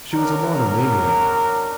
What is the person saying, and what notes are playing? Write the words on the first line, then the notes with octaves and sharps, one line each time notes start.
She was a monomaniac.
F#3 D4 A#4